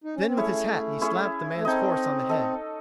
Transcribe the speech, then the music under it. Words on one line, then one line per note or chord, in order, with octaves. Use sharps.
Then with his hat he slapped the man's horse on the head.
D#4
C#4
C4
A3 C#4 E4 G#4 C#5
C#4 E4 G#4 C#5
A3
C4 D#4 A4 D#5
D#4 A4 D#5